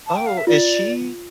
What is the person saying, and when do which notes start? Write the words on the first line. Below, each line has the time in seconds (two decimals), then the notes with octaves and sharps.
Oh, is she
0.06 A5
0.16 G5
0.26 F5
0.37 E5
0.47 F4 D5